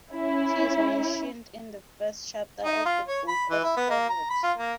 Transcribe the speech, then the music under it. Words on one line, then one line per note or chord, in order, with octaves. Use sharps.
She is mentioned in the first chapter of the Book of Proverbs.
C#4 E4
D#4
F4
C#5
B5
E3
E4
B3
A#3
A#5
B5
F4
A#3